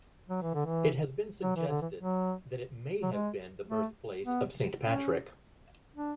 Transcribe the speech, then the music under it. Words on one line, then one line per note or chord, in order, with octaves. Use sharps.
It has been suggested that it may have been the birthplace of Saint Patrick.
F#3
E3
D3
E3
F#3
E3
D3
E3
F#3
F#3
G#3
A3
B3
C#4
D4